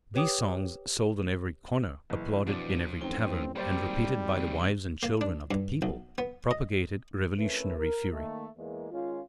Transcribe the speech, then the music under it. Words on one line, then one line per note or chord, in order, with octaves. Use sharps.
These songs, sold on every corner, applauded in every tavern, and repeated by the wives and children of the people, propagated revolutionary fury.
G4 B4 C#5 G5 D6 D#6
F#1 E3
F2 B2 D4
A1 D#3 C4 G7
F#3 G3 A#3 G4 C5 D5
G#1
D#2 C3
A#3
D4
G2
B1
B3
D#5
A3 C4 C#4 E4 A#4 B4
A#4
D#3 A3 A#3
E2 E3 G#3 A#3
D#3 G#3 C#4 F4